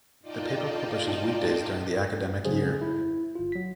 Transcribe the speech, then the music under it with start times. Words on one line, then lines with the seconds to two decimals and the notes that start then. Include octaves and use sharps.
The paper publishes weekdays during the academic year.
0.22 D#4 F4 D5 D#5 G5 A5
2.45 C#3 F#3 G#3 G#4 C5
2.81 E4
3.35 G1 F4
3.52 F#3 B6